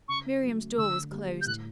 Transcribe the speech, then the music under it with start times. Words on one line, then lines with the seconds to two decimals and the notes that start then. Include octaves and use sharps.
Miriam's door was closed.
0.08 C#3 C#6
0.43 F#3 A3
0.77 D3 E6
1.11 G3 A#3
1.41 G6
1.46 A2 F#6